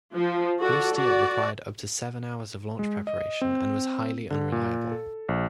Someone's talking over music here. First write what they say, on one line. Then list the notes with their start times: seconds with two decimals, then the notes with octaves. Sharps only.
Blue Steel required up to seven hours of launch preparation, and was highly unreliable.
0.15 F3
0.58 F#4 A4 D5
0.95 F#4 D5
2.79 G#3
3.07 D#5
3.41 C4
4.31 D3
4.52 A#2
4.92 A4
5.29 A#1